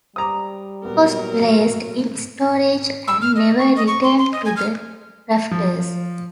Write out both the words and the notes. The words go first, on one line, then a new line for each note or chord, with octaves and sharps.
It was placed in storage and never returned to the rafters.
G3 C5 A#5 D6 D#6
A#2 F#3 B3 A#4
E6
F6
D#5
C#6
D#5
C#6
C6
C6
D#5
G#5
F6
F3